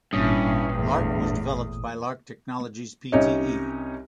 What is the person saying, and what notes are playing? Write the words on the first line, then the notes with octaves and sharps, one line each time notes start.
Lark was developed by Lark Technologies Pte.
G#1 G2 A#2 C#4 E4 D#6
E2 A2
C2 C#4 D#4 G4 C#5 D#5